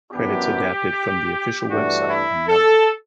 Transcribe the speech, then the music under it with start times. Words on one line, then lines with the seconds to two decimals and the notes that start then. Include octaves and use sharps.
Credits adapted from the official website and Melon.
0.12 F#2 E3 B3 D4 G4
1.69 G2 E3 A3 D4 F#4
2.09 E4
2.48 A4